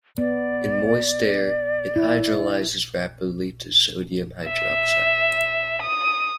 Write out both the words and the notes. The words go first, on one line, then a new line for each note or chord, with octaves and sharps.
In moist air, it hydrolyzes rapidly to sodium hydroxide.
B3 D5
E4
E5
D#6